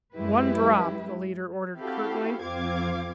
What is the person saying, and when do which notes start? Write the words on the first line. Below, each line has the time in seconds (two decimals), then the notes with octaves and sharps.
"One drop!" the leader ordered curtly.
0.15 F#2 G#3 E4 G4 B4
1.77 C4 E4 F#4 G4 A4 F5
2.40 F2 C4 F4 F5 D6 G#6